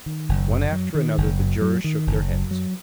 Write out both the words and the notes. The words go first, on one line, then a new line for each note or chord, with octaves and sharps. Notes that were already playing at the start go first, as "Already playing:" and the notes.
One after another the jurors shook their heads.
D#3
F#1
F#2
F#3
D#3
F#1
F#2
F#3
D#3
F#1
F#2
F#3